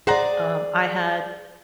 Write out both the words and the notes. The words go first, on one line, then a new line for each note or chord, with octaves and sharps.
um, I had
G#4 C5 D5 F#5 A#5